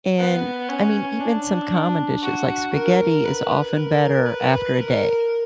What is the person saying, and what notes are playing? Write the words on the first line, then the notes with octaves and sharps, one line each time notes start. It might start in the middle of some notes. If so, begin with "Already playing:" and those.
and, I mean, even some common dishes, like spaghetti is often better after a day,
B3
C#4
D4
F#4
A#4
B4
A#4
B4
A#4